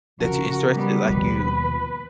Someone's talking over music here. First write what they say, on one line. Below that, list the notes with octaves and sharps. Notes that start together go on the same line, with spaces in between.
that you're interested like, you
C#3 F3 F#4 A#4
G3 B3
D#2 B2 F3 B4